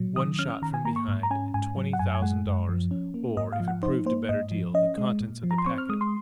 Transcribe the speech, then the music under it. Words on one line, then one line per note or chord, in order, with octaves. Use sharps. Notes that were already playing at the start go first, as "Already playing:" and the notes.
One shot from behind,--and twenty thousand dollars,--or, if it proved a better deal, the contents of the packet.
Already playing: A#2 F#3
D#3 D#6
C#4 F6
F6
D#3 A#5
G#5
A#3 A#5
C#6
G#2
A#5
C#4 G#5
G#2 G#5
F#3
F#5
F#2 G#5
G#5
G#3 F#5
F#2
F3
C#4
A#3
G#2 D#5
F5
F3
F#5
D#4 C5
A#3 C5
G#2 D#5
F3
C#4 D#5
G#3
A#2
F3
A#5
C6
C4 C#6
F6
G#3 D#6
C6